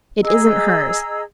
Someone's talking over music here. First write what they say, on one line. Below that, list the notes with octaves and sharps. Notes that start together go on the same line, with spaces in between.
It isn't hers!
G#4 D#5 A#5 E6